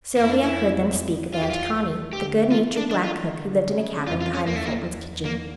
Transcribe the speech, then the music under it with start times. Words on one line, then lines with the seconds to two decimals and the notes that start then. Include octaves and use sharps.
Sylvia heard them speak of Aunt Connie, the good-natured black cook, who lived in a cabin behind the Fultons' kitchen.
0.16 F2 A#3
0.24 E4
0.29 D4
0.43 E4
1.33 E2 F4
1.42 G4
1.50 F4
2.12 D3 G4
2.51 E3 F4
2.77 D4
2.90 E3 D4
3.04 F4
3.30 D3
3.69 C#3
4.07 F2 F4
4.21 F4
4.34 C#4
4.47 E2 A#3
4.56 A3
4.65 A#3
4.86 E2
5.25 A#3